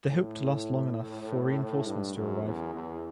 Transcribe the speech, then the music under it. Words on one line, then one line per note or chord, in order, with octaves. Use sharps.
They hoped to last long enough for reinforcements to arrive.
A2
G2
F#2
E2
E2